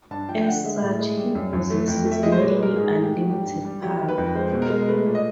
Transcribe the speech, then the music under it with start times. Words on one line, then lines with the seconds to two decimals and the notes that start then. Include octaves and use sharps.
As such, he possesses nearly unlimited power.
0.11 G2 A5
0.28 F3 G5
0.42 G5
0.46 D3 F#5
0.64 G#3 E5
0.82 A2
0.99 G#3
1.17 G3
1.35 F#2
1.53 F#2
1.70 A3
1.88 F2
2.05 A3
2.12 E5
2.23 G#3 D#5
2.32 C5
2.36 A#2 C#5
2.50 B4
2.58 G#3 A#4
2.76 G#2 G#4
2.94 A3
3.03 G4
3.12 G#2
3.21 F#4
3.29 G3 G4
3.47 G2
3.65 G3
3.82 F#3 G4
4.00 D#3
4.09 B4
4.18 F2
4.35 G#3 C5
4.53 B2
4.62 A#4
4.70 G#3
4.88 A3 B4
5.06 A#2
5.15 D#5